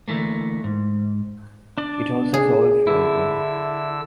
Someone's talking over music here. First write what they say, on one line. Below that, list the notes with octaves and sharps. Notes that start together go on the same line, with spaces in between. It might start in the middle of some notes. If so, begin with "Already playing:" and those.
It also sold fairly well.
D3 E3 A3 A#3
G#2
D4 D5
G#4
D3 E4 E6